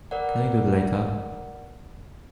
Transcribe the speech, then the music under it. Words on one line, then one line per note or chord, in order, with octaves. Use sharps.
Can we do it later?
A#4 B4 D5 F#5